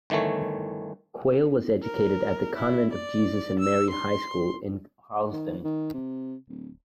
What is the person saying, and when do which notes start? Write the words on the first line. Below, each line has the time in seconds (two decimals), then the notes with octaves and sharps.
Quayle was educated at the Convent of Jesus and Mary High School in Harlesden.
0.10 G1 D#3 E3 A3 C#5
1.83 A#4
2.56 E4
2.93 D5
3.60 E6
3.90 C6
5.33 D#3
5.64 D#3
5.93 C3
6.49 D1